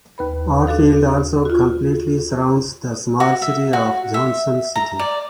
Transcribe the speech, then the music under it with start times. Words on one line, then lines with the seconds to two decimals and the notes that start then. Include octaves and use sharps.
Oatfield also completely surrounds the small city of Johnson City.
0.18 D#2 B4 B5
0.67 D4 F#4 A4 F5
1.45 F4 F#4
3.20 F#4
3.42 E5
3.73 F#4
4.14 E5
4.76 A#5
4.99 D5